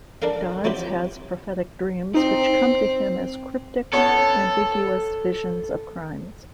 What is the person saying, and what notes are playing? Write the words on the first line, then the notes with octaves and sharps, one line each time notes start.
Dodds has prophetic dreams which come to him as cryptic, ambiguous visions of crimes.
D4 A4 A#4 F5
F#3 C4 E4 F4 G4
C4 D#4
B3 C#4 A4 C#5